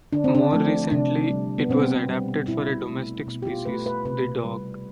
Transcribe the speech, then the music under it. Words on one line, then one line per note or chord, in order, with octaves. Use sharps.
More recently, it was adapted for a domestic species, the dog.
D3 D4
C4
D4
F3 A3
C3 D4
G3
B3
B2 C4
G3
B2 E4
A3
B2
G4
F4
A3 B4
B4
C3 B4
G3